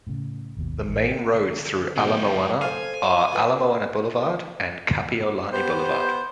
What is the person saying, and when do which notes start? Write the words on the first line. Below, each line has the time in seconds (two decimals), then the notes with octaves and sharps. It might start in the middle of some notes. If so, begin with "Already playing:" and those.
The main roads through Ala Moana are Ala Moana Boulevard and Kapiolani Boulevard.
0.07 A2 C#3
0.57 G#1 D#2 B2
0.88 A1
1.33 D3 C#4
1.96 B2 F#3 D#4 G5
2.62 A4 B4 C5 F5 G#5
3.33 F4 B4
5.52 B3 G4 C5